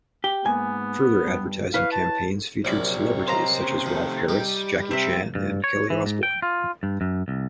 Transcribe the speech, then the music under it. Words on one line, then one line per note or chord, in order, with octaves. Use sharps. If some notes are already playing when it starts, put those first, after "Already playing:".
Further advertising campaigns featured celebrities such as Rolf Harris, Jackie Chan and Kelly Osbourne.
G4
G#2 A#3 B3 G#5
G2
E4 B4 C#5 F5
A5
A#1 F#2 C3 C5 D5 B5
C5 C#5 D#5 F5 A#5
A#2 C#3
D#3 F3 A3
G3 D#4 G4
C3 C4 E5
G2
C#5
E3
G#2
G5
F4
G2
F#2
C2